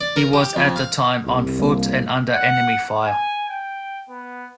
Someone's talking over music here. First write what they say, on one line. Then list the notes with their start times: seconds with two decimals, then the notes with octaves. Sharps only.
He was at the time on foot and under enemy fire.
0.01 D5
0.16 A#4
0.33 G4
0.56 F2
0.76 F5
1.26 C2
1.59 G3 A#3
2.33 F#5
3.05 G#5
3.49 G5
4.10 B3